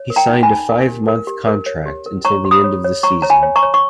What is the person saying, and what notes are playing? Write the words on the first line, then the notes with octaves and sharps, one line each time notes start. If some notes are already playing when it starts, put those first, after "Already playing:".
He signed a five-month contract until the end of the season.
Already playing: C#5
A#4
G5 A#5
D#4
G#5 B5
D#4
A#4
G4
A#4
G4
A#4
C#5
G4
A#4
C#5 A#5 C#6
G4
B5 D#6
C#5
C#5
C#5 A#5 C#6
C#5 A#5
G#5 B5
C#5
A#5 C#6
C#5
C#6